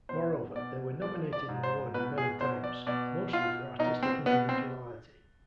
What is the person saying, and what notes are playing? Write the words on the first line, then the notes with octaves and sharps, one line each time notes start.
Moreover, they were nominated and awarded many times - mostly for artistic individuality.
B2 C5
B2 D5
F3 D5
D5
G#2
C5
B2 B4
G#4
B2 C5
D5
B2 D5
B2 F4
B2 D#4
C4
B2 B3
C4